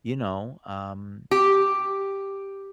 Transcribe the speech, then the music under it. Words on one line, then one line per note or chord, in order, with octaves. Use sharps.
you know, um,
G4